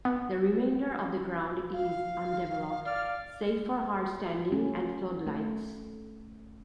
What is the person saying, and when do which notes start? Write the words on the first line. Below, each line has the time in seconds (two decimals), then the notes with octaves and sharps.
The remainder of the ground is undeveloped, save for hard standing and floodlights.
0.05 B3
1.73 F5
2.86 D5 F5 F6
4.52 C#4
5.27 A3